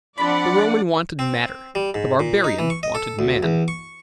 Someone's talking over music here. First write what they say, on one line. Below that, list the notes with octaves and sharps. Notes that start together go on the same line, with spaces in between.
The Roman wanted matter; the Barbarian wanted man.
F3 C4 D4 D5 F#5 B5
C4
G3
G#2
A#2
D#4
E3
C#6
D#5
A4
D2
E2
C#6